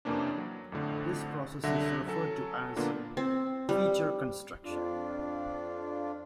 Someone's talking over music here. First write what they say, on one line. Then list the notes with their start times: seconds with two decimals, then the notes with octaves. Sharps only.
This process is referred to as feature construction.
0.05 F2 C3 E3 A#3 C#4 D4
0.38 F#3
0.72 F2 A2 D3
1.63 C2 D3 F#3 E5 A#6
2.07 F#3 C#4 A4
2.76 A#2 D3 A#3 B3 D4 F4
3.17 C4
3.69 G3
4.64 F2 D4 F4